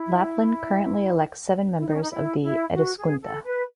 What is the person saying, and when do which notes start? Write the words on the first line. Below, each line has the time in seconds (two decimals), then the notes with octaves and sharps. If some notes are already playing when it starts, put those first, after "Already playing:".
Lapland currently elects seven members of the "Eduskunta".
Already playing: E4
1.79 E4
1.87 D#4
1.94 C#4
2.02 D#4
2.11 E4
2.43 E4
2.75 F#4
2.98 G#4
3.22 A4
3.45 B4